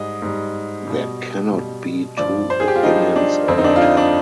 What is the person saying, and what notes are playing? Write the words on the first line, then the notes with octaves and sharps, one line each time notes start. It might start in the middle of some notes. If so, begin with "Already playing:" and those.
There cannot be two opinions about him.
Already playing: G#2 G3 D#5
G#2 G3
B2 G3
B2 G3
G2 F3 D5
C5
G#4
G4
F4
G2 F3 D#4
D4
F2 D3 F3 C4
D#4
D4
F4
D#4
D4